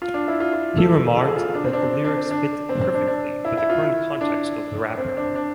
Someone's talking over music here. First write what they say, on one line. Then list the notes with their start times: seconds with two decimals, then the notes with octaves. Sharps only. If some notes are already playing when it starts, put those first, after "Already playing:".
He remarked that the lyrics fit perfectly with the current context of the rapper.
0.02 F4
0.14 D4
0.28 E4
0.40 F4
0.53 F4
0.78 A4
1.17 A4
1.26 G#4
1.36 F4
1.55 D4
1.64 C4
1.73 D4
1.82 C4
1.93 D4
2.04 D4
2.18 C4
2.31 D4
2.69 C4
2.81 C4
2.94 D4
3.07 D4
3.45 E4
3.57 E4
3.70 F4
3.83 E4
4.21 D4
4.97 C4
5.17 D4
5.35 D4